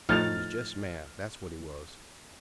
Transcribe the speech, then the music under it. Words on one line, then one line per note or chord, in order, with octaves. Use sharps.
He was jest mad, that's what he was.
A2 F3 D#4 F6 A6 F7